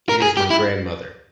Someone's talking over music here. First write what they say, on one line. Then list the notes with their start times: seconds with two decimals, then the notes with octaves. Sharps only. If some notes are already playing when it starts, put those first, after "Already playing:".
It is my grandmother.
0.09 A#4
0.22 G#4
0.37 G4
0.50 E4